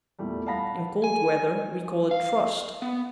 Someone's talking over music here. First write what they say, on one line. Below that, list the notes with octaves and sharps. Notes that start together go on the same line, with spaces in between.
In cold weather we call it frost.
E2 A#2 E3 G3 A3
F5 F#5 A5 B5 A#6 B6
G#5
F5
B3